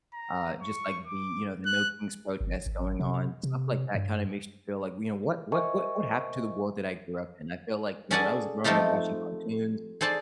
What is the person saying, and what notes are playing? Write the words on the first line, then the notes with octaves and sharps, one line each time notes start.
uh, just, like, the you know, the No Kings protest going on, stuff like that kinda makes you feel like, you know, "What what what what happened to the world that I grew up in?" I feel like, you know, when I was growing up watching cartoons,
A#5
C#6
D6
F#6
G1
G#1
C3
C3
G2
A#4 C5 D#5 E5 G#5 C#6
C#4 G#4 A4 D5 F#5 G#5
F3 A3 C4 D#4 F4 G4
G#4 A4 C5 D5 A5